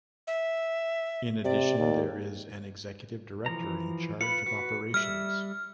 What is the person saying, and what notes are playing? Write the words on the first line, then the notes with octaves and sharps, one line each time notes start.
In addition, there is an Executive Director in charge of operations.
E5
C3 D5
D#2
E3 F3 A#5
F4 B4 B5 C#7
F#4 B4
G3 E5 F6